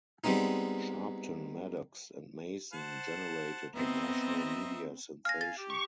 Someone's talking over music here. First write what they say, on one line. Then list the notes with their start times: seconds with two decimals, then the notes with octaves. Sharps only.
Sharpton, Maddox, and Mason generated a national media sensation.
0.24 G3 G#3 B3 C4 D#4
2.73 C5 F#5 A5
3.75 B3 C4 D#5 E5 A#5
5.25 F5 G#5 F6 A#6
5.41 A6
5.58 G4
5.70 C#6